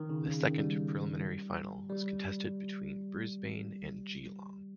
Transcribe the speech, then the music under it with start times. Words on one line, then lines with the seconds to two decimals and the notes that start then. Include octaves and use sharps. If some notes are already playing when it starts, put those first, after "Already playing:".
The second preliminary final was contested between Brisbane and Geelong.
Already playing: D#3
0.09 C#3
0.26 C#3
0.43 D#3
0.58 G3
1.90 G3